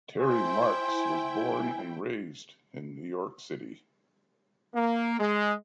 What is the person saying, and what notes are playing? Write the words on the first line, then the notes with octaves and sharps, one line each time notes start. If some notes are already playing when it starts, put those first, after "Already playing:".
Terry Marks was born and raised in New York City.
E4 C5 G5 G#5
A#3
G#3